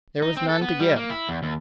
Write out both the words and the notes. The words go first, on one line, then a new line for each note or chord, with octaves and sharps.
There was none to give.
D#4
C4
A4
B3
G3
A#3
E4
E2
D#2